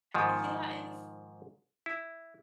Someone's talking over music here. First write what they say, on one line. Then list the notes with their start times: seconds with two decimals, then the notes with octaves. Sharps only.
Yeah, and it's
0.14 G#2 D#3 F3
1.86 E4